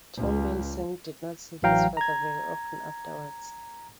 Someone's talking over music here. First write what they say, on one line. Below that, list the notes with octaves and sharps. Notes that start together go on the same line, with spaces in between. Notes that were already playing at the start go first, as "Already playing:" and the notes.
Tomlinson did not see his father very often afterwards.
C#2
A1 E3 F#3 F5 G5 A#5
A#5 G#6